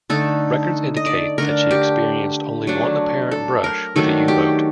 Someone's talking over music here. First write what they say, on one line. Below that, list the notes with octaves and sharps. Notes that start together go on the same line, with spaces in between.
Records indicate that she experienced only one apparent brush with a U-boat.
D3 A3 D#4 A4
D#5
D5
D3 A3 D4 A#4
G4
F#3 A3 D4
A4
A#4
D#3 F#3 A3 D4 A4
G4